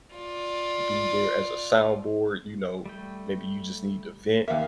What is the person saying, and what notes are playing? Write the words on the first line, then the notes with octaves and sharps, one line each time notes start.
be there as a soundboard, you know, maybe you just need to vent.
F4 D5
G3 A3 G5
D#2 A#3 E5 F5